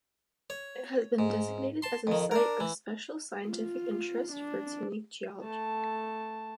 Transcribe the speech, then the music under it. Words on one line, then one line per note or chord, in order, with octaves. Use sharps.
It has been designated a Site of Special Scientific Interest for its unique geology.
C#5
G#2
A5 C6
F2 D#3
D4 A#4
E3
F4
D4
A3 A5